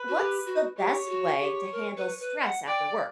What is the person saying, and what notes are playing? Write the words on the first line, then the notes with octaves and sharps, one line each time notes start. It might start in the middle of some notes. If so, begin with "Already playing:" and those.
What's the best way to handle stress after work?
Already playing: B4
F#4
G4
F#4
G4 C#5
G4
F#4
G4
A#4
B4
B4
F#5
D5 G5